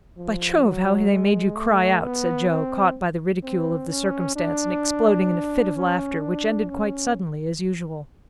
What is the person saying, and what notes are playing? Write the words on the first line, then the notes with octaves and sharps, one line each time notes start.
"By Jove, how they made you cry out!" said Joe, caught by the ridicule of the circumstance, and exploding in a fit of laughter which ended quite suddenly, as usual.
F3
F#3
G#3
A3
B3
C4
C4
C#4
D4
C#4
D4
C#4